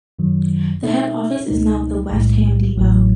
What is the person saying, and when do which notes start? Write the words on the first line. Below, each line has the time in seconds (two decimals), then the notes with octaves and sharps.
The head office is now at the West Ham depot.
0.19 F#2 D#3 F#3
0.83 B2 G#3 D#4 A4 E5
1.47 C#2 B2 G#3 D#4
2.11 B1 A2 G#3
2.76 A1 A2 F#3